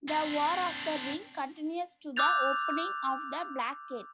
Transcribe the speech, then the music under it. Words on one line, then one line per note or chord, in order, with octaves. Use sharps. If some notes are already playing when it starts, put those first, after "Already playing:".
"The War of the Ring" continues to the opening of the Black Gate.
C4 D4
D6 E6 F#6 G6 A6 F7